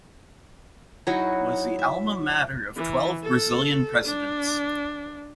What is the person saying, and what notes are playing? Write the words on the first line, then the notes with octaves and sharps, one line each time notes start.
It was the alma mater of twelve Brazilian presidents.
F#3 D#4 E4 F#4
E5
E3
A4
D4